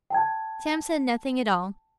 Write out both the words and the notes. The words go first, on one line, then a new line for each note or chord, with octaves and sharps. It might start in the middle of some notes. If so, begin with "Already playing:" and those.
Sam said nothing at all.
G5 A5 G#6